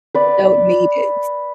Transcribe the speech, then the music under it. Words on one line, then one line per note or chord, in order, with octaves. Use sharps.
Don't need it.
B4 D5